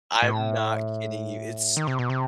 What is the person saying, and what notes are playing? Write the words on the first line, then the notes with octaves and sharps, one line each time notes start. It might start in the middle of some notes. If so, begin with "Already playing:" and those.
I'm not kidding you, it's
A2
D#3
C3
B2
C3